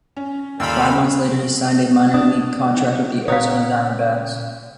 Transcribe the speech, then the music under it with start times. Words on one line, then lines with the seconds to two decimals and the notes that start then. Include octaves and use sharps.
Five months later, he signed a minor league contract with the Arizona Diamondbacks.
0.17 C#4
0.60 D#2 A#2 D#3 A4 F5 G5 B5 E6
2.14 D4 D#6
2.77 D#4 E5
3.28 A#2 C#3 C#5 F5 A#5 D#6